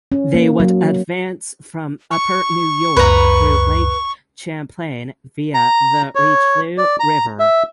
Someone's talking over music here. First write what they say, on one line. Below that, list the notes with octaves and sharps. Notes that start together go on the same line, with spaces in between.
They would advance from upper New York through Lake Champlain via the Richelieu River.
C#4
A#3
F#3
C#6
C#2 F#2 B4 A#5
A#5
C#5
D5
A#5
E5